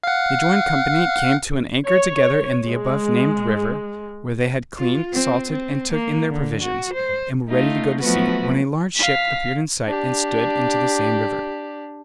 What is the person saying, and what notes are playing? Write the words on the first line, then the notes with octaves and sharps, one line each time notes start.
They joined company, came to an anchor together in the above named river, where they had cleaned, salted and took in their provisions, and were ready to go to sea, when a large ship appeared in sight, and stood into the same river.
F5 F#5
C#5
G#3
F4
C4
C4
A#3
D3
F#4
C5
A3 D#4 F4
F3 F#3 A3 B3 F#4 B4
F5 B6
D4 G4